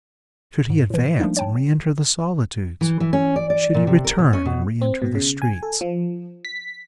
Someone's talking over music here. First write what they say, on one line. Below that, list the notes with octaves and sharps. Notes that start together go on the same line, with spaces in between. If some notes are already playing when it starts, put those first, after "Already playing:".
Should he advance and re-enter the solitudes? Should he return and re-enter the streets?
G#2
A2 E3
F3 G3 A3 A#3 D4 D#4
C#5 G5 A5
E3
E3
C#4
D5
D5
A#2
C3
A#4
B2
C#4
B2
C4
B2
C#3
G#5
A4
F3
B6